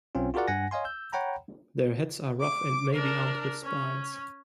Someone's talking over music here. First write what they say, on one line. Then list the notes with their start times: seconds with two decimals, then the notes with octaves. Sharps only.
Their heads are rough and may be armed with spines.
0.15 B1 C4 C#4 F4
0.34 F4 F#4 G#4 A#4 D5 F#5
0.48 G2 F#5 G#5 A#6
0.71 C#5 D#5 F5 G#5 C6
0.84 E6 G6
1.12 C#5 F#5 G5 A#5 B5
2.40 D6
2.93 D4 A#4
3.63 C#4